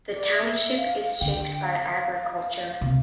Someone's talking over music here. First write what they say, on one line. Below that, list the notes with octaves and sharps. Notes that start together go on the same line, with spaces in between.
The township is shaped by agriculture.
D5
E5
F5
D3 G5
F5
C3